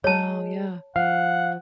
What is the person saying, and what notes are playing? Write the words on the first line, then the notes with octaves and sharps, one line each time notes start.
Oh, yeah.
G#3 G#4 C#5 A5
F3 F5 F#5